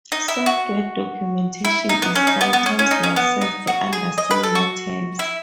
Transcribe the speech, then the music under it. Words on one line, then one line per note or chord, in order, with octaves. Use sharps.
Software documentation is sometimes licensed under similar terms.
D#4
E4
F#4
E4
D#4
B3
C#4
D#4
B3
B3
C#4
C#4
D#4
C#4
B3
D#4
F#4
G#4
D#5
B4
A4
F#4
E4